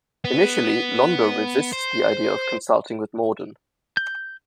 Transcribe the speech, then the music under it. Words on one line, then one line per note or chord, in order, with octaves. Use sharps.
Initially, Londo resists the idea of consulting with Morden.
B3
C5
G6